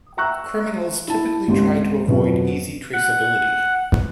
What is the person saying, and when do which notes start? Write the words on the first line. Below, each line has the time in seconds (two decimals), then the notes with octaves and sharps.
Criminals typically try to avoid easy traceability.
0.17 E5 G5 A#5 C#6 E6 F#6
1.08 E4 A5
1.48 G#1 C#2 G4 C6
2.06 F2 B2 F#3
2.93 F#5